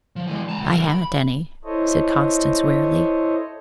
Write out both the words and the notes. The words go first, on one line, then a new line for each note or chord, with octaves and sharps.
"I haven't any," said Constance wearily.
F3
E3 G#3
A5 A#5
C#2 F#2
C#2 A#4
B5
E4 A4 C5 C#5 D#5